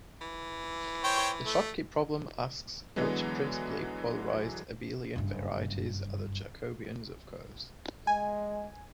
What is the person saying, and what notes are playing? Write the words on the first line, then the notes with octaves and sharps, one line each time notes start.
The Schottky problem asks which principally polarized abelian varieties are the Jacobians of curves.
E3
C5 C#5 G5
A3
D3 E3 F#3 G#3 B3
F#1 G2
G#3 G#5